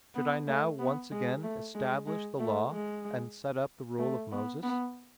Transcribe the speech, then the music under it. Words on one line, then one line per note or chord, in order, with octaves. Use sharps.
Should I now once again establish the Law, and set up the rule of Moses?
B3
A3
B3
G#3
A3
G#3
G#3
A3
G#3
A3
B3
B3